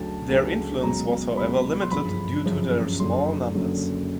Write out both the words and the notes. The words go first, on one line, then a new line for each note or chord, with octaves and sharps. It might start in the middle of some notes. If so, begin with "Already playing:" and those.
Their influence was however limited due to their small numbers.
Already playing: D2 C#3 F#3 A5
D2 C#3 F#3
C#2 B2 F#3 A#5
C#2 B2 F#3 B5
C6
G1 F#2 C#3 F3 B5
G1 F#2 C#3 F3
F#1 F#2 D3 F#3 C6
F#1 F#2 D3 F#3